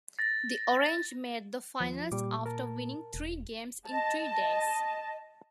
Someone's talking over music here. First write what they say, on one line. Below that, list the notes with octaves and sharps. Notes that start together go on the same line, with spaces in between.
The Orange made the finals after winning three games in three days.
A6 A#6
D#2 F3
A#2 G3 D6
A#4 A5
E1
D#5 A5